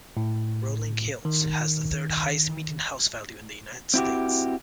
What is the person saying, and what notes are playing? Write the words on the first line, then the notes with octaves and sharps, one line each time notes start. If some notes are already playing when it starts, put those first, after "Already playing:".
Rolling Hills has the third highest median house value in the United States.
A2
D#3
C4 E4 F#4 G4